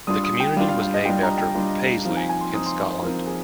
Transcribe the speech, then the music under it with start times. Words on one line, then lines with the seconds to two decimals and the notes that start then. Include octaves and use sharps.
The community was named after Paisley, in Scotland.
0.07 G3 D4 F4 D#6
0.24 D#6
0.40 G5
0.56 G3 D4 F4 F5
0.69 F5
0.82 F5
0.94 D#5
1.05 G3 D4 F4 G5
1.23 A#5
1.38 G5
1.55 G3 D4 F4
2.05 F3 C4 D#4 F5
2.17 G#5
2.29 G#5
2.41 C6
2.54 F3 C4 D#4 D#6
2.66 C6
2.90 C5
3.02 F3 C4 D#4 A#4
3.27 G#4